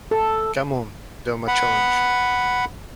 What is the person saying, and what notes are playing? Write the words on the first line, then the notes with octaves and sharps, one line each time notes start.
Come on, Del Mar challenged.
A4
F#5 B5